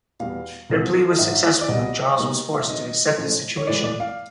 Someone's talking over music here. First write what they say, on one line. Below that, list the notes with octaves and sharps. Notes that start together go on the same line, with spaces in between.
Their plea was successful and Charles was forced to accept the situation.
E2 B2 G3 B3 F5
C2 C3 F3 G#3
G#2 D#3 F#3 E5
D5
C2 B2 G3 D#5
B2 G3 A#3 D#4
F5
E5
C3 D#3 F#3 D#5
A2 F3 A3 C#4
C#5
A2 E3 G#3 D5
D5
F5